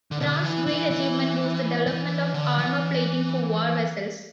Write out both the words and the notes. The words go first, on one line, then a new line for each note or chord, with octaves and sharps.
Brown's great achievement was the development of armour plating for war vessels.
D3
B2
D3
E3
E3
E3
E3
D3
E3